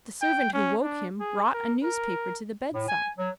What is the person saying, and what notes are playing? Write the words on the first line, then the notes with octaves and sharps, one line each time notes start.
The servant who woke him brought a newspaper to the bedside.
G5
C#4
D4
G#4
A#4
A#4
A2
G#5
F#3